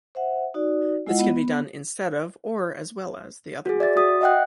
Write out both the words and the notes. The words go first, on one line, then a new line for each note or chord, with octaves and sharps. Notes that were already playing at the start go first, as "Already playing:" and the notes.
This can be done instead of, or as well as, the other method.
C5 E5 F#5
D#4 F#4 D5
G#3 E4 F4 D#5 F#5
B3
F#4 G#4
D5 E5 A6
F#4 D#6
D#5 E5 F#5 G5 F#6